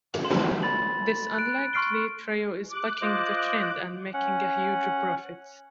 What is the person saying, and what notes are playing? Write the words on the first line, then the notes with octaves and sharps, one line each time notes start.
This unlikely trio is bucking the trend and making a huge profit.
C6 E7
B5 A6 F#7
F#6 D7
C6 C#6 F6 C7 D7 G7
D6 F#6
F4 C5 D#5
C#4 F#5